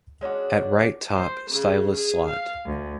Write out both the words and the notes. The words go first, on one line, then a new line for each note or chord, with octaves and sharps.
At right top, stylus slot.
G#3 C#4 D4 F#4
C5
C#3
G#4
F5
D2